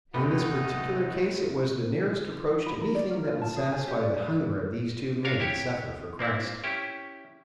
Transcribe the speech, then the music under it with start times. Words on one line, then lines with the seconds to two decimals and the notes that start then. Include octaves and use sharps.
And in this particular case it was the nearest approach to anything that would satisfy the hunger of these two men to suffer for Christ.
0.14 G#1 D#2 C3 A3 B3 D#4 F#4 B5
2.66 B5
2.81 A#4
2.95 D5
3.11 C#4
3.27 F4
3.41 A5
3.56 G#4
3.72 G#5
3.88 G4
4.01 D5
4.25 B4
5.25 D4 A#4 C#5 F5
5.40 E4 G4 C#5
6.19 A#3 C4 E4
6.64 C#4 E4 G4